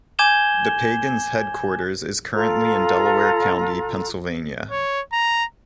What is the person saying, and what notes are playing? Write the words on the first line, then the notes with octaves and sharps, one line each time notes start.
The Pagans headquarters is currently in Delaware County, Pennsylvania.
G#5 D6 G6 G#6 E7 G7
F4 A4 A#5
C#5
A#5